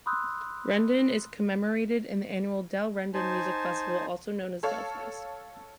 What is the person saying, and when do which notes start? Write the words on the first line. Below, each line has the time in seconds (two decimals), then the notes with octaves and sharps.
Rendon is commemorated in the annual Del Rendon Music Festival, also known as DelFest.
0.06 B5 C6 D#6 E6 F#6 G6
3.14 D#4 C5 G#5 A5
4.63 A4 C#5 F5